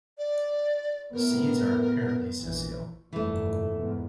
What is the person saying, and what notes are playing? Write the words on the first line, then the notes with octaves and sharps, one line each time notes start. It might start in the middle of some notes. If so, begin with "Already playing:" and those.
The seeds are apparently sessile.
D5
A2 B3 A#4
A#1 E3
F1 G2 A#2 E3 A3
E2 G#2